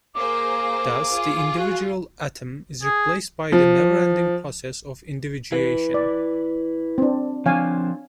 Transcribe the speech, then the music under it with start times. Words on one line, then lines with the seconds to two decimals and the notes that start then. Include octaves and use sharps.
Thus the individual atom is replaced by the neverending process of individuation.
0.15 A#3 G#4 C5 D6
1.10 F4 G#4
1.58 F#4
2.83 G#4
3.52 F3
5.52 E4 B4
5.94 D5
6.98 C4 D4
7.46 F3 C4 D4 C#5 F5 G#5